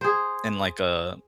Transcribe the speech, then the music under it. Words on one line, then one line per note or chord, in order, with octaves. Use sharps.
in, like, a
G#4 C5